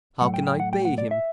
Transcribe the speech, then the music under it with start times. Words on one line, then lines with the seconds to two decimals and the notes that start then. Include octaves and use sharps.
How can I pay him?
0.21 A2 F#3 A3 F#5
0.34 G5
0.47 G5
0.60 F#5
0.73 G5
0.85 F#5
0.98 D5
1.11 E5